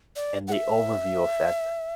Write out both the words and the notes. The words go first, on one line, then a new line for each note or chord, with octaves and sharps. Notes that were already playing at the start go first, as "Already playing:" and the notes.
And the overview effect
D5
F#5
E5